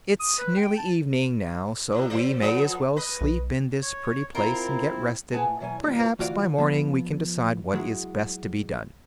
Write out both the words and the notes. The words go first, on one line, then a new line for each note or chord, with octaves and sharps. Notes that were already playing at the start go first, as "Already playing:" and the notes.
"It's nearly evening, now; so we may as well sleep in this pretty place and get rested; perhaps by morning we can decide what is best to be done."
D#6
B4
G5
A5
A2 C3
F#3 C5 D5
F3 B3 A4
B4 D#5
B1
C#5
C4 E4 F4 A#4
E4 G#4 B4 F#5 G#5 A5
A2
B2 E3 F#3 C#5 G#5
B2 D#3 G3 A#3 F4
G2 F4 G4 A4 B4 A#5
D2 E3 F4 F#4 D5 F5
F3 B3
F#3 G#3 E4